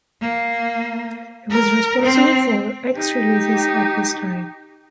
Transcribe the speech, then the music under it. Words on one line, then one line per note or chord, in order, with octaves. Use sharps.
He was responsible for X releases at this time.
A#3
A#4
C4
D#4 G4